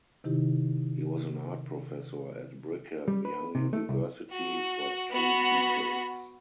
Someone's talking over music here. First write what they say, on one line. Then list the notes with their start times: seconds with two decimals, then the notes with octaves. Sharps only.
He was an art professor at Brigham Young University for two decades.
0.24 C3 D#3 D#4 E4 G4
3.08 G3
3.25 B4
3.55 C3
3.73 A3
3.89 C2
4.31 F#4
5.11 B3 F#4